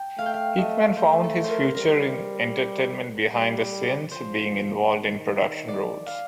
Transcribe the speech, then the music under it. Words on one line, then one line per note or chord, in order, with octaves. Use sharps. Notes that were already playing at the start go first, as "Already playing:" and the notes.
Hickman found his future in entertainment behind the scenes, being involved in production roles.
Already playing: G5 A5
A3 F5
G5
F5
A3 D#5
A3 C5
A4
A#4 C5
G3 A#4
G3
F3 C5
D#3
D5
F5